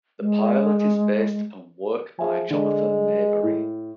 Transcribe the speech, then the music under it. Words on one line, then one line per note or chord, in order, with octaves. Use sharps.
The pilot is based upon work by Jonathan Maberry.
G#3
F3 G#4 E5 G#5
D3 G#3
A2